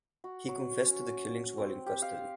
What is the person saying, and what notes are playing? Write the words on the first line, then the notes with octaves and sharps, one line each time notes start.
He confessed to the killings while in custody.
F#4
F#3
C#4
C4
G4
F5